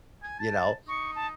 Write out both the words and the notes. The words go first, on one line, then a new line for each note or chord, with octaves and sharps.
you know?
G#5
A5
D#4 C#6
A5